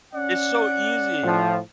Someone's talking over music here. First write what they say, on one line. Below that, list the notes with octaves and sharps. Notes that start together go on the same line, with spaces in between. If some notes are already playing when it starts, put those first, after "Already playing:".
It's so easy.
C#4 D5 F#5
A2 F3